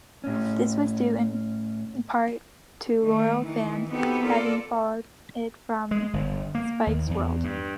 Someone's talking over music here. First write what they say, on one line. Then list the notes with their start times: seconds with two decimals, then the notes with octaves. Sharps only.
This was due in part to loyal fans having followed it from Spike's World.
0.24 A2 C#4
3.04 D#3 A3
3.43 D#3 E3
3.90 B3 C4 D#4 F#4 G4 A4
4.23 F4 A4 A#4 D5
5.91 G#3
6.13 G1
6.55 A#3
6.87 D#2
7.10 E2
7.44 G2